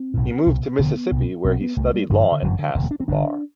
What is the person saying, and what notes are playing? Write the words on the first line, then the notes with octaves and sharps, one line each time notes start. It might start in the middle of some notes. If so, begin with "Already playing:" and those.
He moved to Mississippi, where he studied law and passed the bar.
Already playing: C4
B1 A2
C2 B2
E1 D2 D3 B3
C2 B2
B1 B2 C4
B3
C2 C3 A3
G3
A1 G2 D3 F#3
E3
D3
G1 F#2 D3 E3
D3
E1 D2 D3 E3
A3
D4
C4
G1 G2 D3 D4